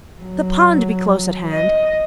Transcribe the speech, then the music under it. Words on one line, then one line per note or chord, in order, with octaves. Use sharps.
The pond be close at hand.
F#3
D#5